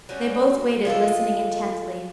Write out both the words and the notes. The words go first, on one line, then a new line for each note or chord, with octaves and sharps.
They both waited, listening intently.
F#3 G3 C#4
G#3 F4 F#4 A4